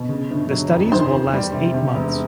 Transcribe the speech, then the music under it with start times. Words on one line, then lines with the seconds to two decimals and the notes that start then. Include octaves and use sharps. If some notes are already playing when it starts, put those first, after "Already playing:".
The studies will last eight months.
Already playing: B2
0.09 C#3
0.30 G1
0.50 F#3
0.71 F2
0.92 D#3 C5 C6
1.12 E2
1.33 G3
1.53 C3
1.74 C3
1.94 E1